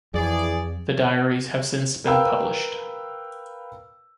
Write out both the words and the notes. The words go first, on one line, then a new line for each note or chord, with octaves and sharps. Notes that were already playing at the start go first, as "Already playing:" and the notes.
The diaries have since been published.
F2 E3 G#4 D5
A#4 B4 F5 G5 E6